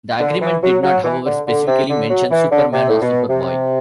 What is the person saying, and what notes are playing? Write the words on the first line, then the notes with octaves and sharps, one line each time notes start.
The agreement did not, however, specifically mention Superman or Superboy.
D3
E3
F#3
F#3
E3
D3
D3
C3
D3
F#3
E3
D3
C3
A2
B2
C3